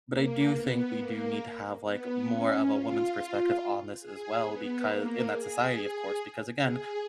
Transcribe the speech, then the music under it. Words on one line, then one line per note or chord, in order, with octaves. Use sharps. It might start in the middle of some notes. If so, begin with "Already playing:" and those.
But I do think we do need to have, like, more of a woman's perspective on this as well becau In that society of course, because again,
A#3
B3
A#3
B3
C#4
F4
F4
G#4
B3
A#3
G#4
G#4
G#4